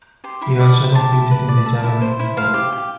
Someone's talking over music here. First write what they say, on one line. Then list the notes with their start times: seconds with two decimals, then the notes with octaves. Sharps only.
He also competed in the javelin throw.
0.24 G4 C6
0.41 E4 B5
0.60 D5 B5
0.77 E4
0.95 G4 A5
1.12 E4
1.31 B4
1.49 D5
1.66 A4
1.84 E4
2.02 C5
2.19 E4
2.37 C5 F5
2.54 G4
2.72 G4